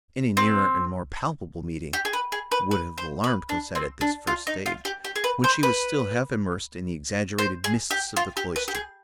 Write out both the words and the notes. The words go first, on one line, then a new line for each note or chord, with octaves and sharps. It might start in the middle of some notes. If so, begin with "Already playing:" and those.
Any nearer and more palpable meeting would have alarmed Cosette at this first stage, when she was still half immersed in the exaggerated mists of the cloister.
C4
G4
G#4
B4
G#4
B4
B4
C5
B4
D4
C4
D4
F4
D#4
F4
G4
G4
G#4
B4
C5
B4
C5
G#4
G4
F4
G4
B4
G4
G#4